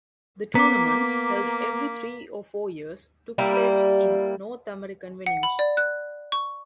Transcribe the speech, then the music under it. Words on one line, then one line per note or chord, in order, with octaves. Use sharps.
The tournaments, held every three or four years, took place in North American venues.
A#3 B3 A#5 D6 B6
G3 A#3 E4
F#5
B5
D5
F#6
C#6